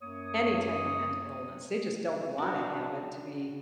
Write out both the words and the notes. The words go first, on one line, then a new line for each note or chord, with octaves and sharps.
any type of mental illness, they just don't wanna have it to be,
F#2 A#3 C#5 D#6
D4 F#4